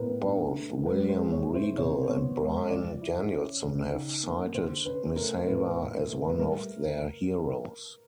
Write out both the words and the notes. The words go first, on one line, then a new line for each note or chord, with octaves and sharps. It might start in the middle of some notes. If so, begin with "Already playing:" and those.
Both William Regal and Bryan Danielson have cited Misawa as one of their heroes.
Already playing: A2 B3 A#4 B4
D4
A3
G#3 B4
C5
G#4
C#5
E4
C5
C3 C#5
C5
B3 C#5
G#3
F3 D5
E4
C#4
C#3
D#4
A#3
D3 C5
C#4 B4
A3 A#4
A2 B4
A2
A3
B4
G3 A#4